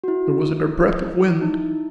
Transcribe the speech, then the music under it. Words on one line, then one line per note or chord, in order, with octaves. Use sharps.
There wasn't a breath of wind.
F#4
E4
E4
D#4
E4